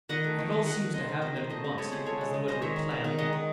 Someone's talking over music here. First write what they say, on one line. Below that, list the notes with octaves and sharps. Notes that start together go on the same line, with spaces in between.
And it all seems to happen at once, as though it were planned.
D#3 D#5 F#5
A3
D#3
D#3
D#3 D#5 F#5
D#3
D#3 C5 D#5
D#3
C3 C5 D#5
C3 C5 D#5
A3 C5 D#5
C3
G#3 A4 C#5
C#3 G#4 C5
G#3 A4 C#5
G#3
G#3
G#3 C5 D#5
D#3 C#5 E5
D#3
D#3
D#3
G#3 D#5 F#5
D#3